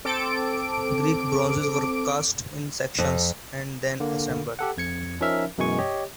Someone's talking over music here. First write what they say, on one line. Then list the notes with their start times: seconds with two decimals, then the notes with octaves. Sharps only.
Greek bronzes were cast in sections and then assembled.
0.05 C4 A4 D6 D7
2.99 F2
4.00 D3 A#3
4.59 G4 A4 F#5
4.77 F2 G#6 C#7
5.21 F3 C#4 D#4 A#4 E5 F6
5.58 F#2 B2 E3 G#3 G#5 C#6
5.78 G4 C#5 D#5